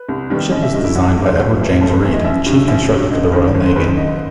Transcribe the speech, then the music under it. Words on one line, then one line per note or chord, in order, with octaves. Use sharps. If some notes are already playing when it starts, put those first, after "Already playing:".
The ship was designed by Edward James Reed, Chief Constructor to the Royal Navy.
Already playing: B4
C2
C3 D#3 G3 B3
A1 D#5
E5
G2 F#3 A3 D#5
E4
A1 F#4
A4
G2 F#3 A3
C5
B1 F#4
A2 E3
B1 A4
C5
B4
A2 E3 C5
D#5
A1 E5
G2 F#3
A1 E5
G2 F#3
F#1 D#5
F#2 D#3
F#1
C5
F#2 D#3 B4
C5
F#1 D#5